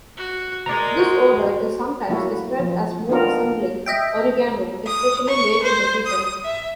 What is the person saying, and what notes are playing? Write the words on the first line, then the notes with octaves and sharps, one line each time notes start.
This odor is sometimes described as more resembling oregano, especially late in the season.
F#4
G#3 A#4 D5 A#5
F#4 C5
F#3 A#3 E4 F#4
F3
B3 C4 D4 D#4 F4 A#4
D#5 E5 G5
D#6
C#6
C5
D#6
E5